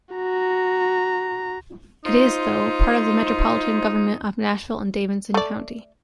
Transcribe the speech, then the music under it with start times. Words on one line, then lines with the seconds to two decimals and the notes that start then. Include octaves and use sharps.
It is, though, part of the Metropolitan Government of Nashville and Davidson County.
0.14 F#4 A#5
2.05 D#4 F4 C5
5.34 A3 D5